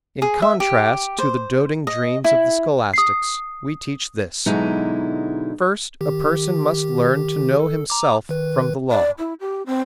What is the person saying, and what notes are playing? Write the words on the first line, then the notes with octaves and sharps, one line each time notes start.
In contrast to the doting dreams of the scholastics, we teach this: First a person must learn to know himself from the Law.
G#4
E5
G4
C5
D#5
E4
D#6 C7
B2 D3 F#3 G#3 D#4 E4
D#3 G4
A4
A#5 D6
D#3 B4
D5
E4
G4
C4